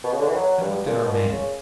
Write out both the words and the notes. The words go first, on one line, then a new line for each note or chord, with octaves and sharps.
I looked at our men.
B2
C#3
D3
E3
F#3
G2
A#2
B2
A#2
C#3